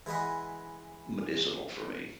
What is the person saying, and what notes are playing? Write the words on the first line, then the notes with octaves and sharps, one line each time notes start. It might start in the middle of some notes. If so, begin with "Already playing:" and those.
medicinal for me.
E3 G#3 B4 D#5 F#5